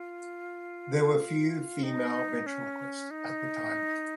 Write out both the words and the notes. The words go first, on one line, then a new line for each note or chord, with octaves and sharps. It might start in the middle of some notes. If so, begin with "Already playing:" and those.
There were few female ventriloquists at the time.
Already playing: F4
D#4
C#4
D#4